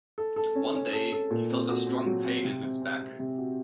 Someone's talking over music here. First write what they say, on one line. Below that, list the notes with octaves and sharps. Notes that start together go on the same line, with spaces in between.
One day, he felt a strong pain in his back.
A4
A4
C#4
C#4
A4
A4
A#2
C4
F#4
C4
F#3
C4
C3
C3
C4
C4
C3
F#4